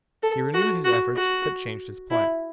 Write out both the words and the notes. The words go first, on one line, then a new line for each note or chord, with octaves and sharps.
He renewed his efforts, but changed his plan.
A4
F#4
F#4
F#4
E4